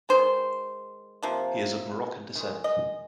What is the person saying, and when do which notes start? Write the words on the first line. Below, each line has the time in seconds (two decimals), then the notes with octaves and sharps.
He is of Moroccan descent.
0.09 D#3 G#3 C5
1.23 C3 F3 A#3
2.35 D#3 G#3
2.64 D#5